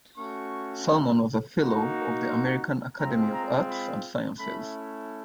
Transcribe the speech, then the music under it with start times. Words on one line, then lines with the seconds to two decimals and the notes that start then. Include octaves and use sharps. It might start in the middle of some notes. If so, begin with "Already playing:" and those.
Salmon was a fellow of the American Academy of Arts and Sciences.
0.17 A3 C#4 F#4 C#6
1.58 A#3 D#4 F#4
2.28 C6
2.98 G#3 C4 F4 A#5
3.33 A#5
3.69 B5
4.39 A3 C#4 E4 B5